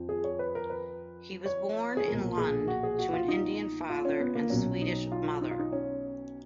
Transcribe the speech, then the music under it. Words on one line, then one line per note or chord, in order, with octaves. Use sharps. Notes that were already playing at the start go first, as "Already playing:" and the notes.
He was born in Lund to an Indian father and Swedish mother.
Already playing: F2 F3
G#4
C#5
B4
A#4
B4
C#5
G#4
B1 A#2 F3 A#4
G#4
F#4
G#4
F#4
F4
D#4
F4
C#4
B3
A#3
B1 B2 F#3 C#4
D#4
F4
D#4
F4
D#4
C#4